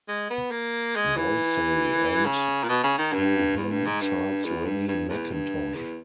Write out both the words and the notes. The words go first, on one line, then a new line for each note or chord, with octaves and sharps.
Voysey, and, through him, Charles Rennie Mackintosh.
G#3
B3
A#3
G#3
E3
C#3
A#2
B2
C#3
D#3
G2
E2
G2
G#2
G2
E2
G2
G2
E2
G2
E2